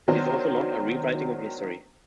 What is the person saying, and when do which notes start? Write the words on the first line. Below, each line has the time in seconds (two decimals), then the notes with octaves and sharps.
It is also not a rewriting of history.
0.08 D#3 F#3 B3 D4 C5